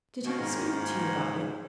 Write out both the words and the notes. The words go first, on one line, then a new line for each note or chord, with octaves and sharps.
Did he speak to you about it?'
B2 D#3 A#3 C#4
G#2
F#2
G#2